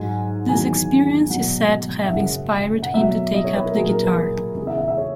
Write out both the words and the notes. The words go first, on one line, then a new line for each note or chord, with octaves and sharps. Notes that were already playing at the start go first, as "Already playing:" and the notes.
This experience is said to have inspired him to take up the guitar.
Already playing: G#2 F#3 G#5
E2 D#3 F#3 G#5
B2 F#3 F#5
E5
F#2 C#3 G#3 F#5
F#5
B2 F#3 E5
D#5
C#5
B4
A#4
A#2 F#3 G#4
A#4
B4
B4
E2 C#3 G#3 G#4
E5
E5
E5
C#5